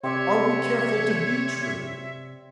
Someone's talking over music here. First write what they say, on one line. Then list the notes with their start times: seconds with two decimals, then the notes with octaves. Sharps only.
Are we careful to be true?
0.04 C3 C4 C#5 D5 E5